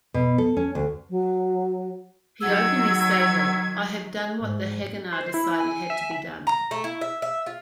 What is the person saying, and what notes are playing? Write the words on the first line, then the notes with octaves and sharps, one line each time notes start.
He openly stated: I have done what the Haganah decided had to be done.
B2
A4
C#4
D2
F#3
D#3 F#3 F#5 E6 G#6
G#2
C5
E4
G#5
E5
A#5
A3
E4
E5
E5
F4